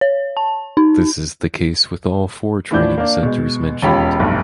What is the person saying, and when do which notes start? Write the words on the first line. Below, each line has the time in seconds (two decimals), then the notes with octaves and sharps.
This is the case with all four training centers mentioned.
0.01 C#5
0.37 A5
0.77 D#4
2.71 A2 E3 F3 D4 G6
2.98 A#3 D4
3.23 B2 G#3
3.82 E1 C#4 F4 G4 B5
4.19 F1 B1 G2